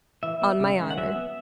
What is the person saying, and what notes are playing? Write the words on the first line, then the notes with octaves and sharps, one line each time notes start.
"On my honor."
E3 E5
B3
C#3
G#3 C#4
F#5
F#3 E5
B3